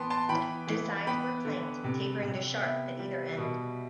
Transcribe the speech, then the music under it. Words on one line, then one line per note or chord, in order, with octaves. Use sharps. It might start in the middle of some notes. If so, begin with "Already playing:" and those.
The sides were planked, tapering to sharp at either end.
Already playing: E3 B3 G5 A5 C6
A5 C6
E3 G5 B5
E3
B3 G5 B5
D3
C3
C3
B3 E5 G5
G3
B2